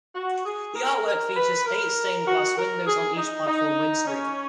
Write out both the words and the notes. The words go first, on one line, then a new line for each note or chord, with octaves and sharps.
The artwork features eight stained glass windows on each platform windscreen.
F#4
G#4
A#4
A#4
B4
A#4
F#4
A#4
G#4
D#4
D#4
C#4